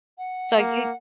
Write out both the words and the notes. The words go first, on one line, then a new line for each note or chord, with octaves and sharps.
So, you
F#5
A#3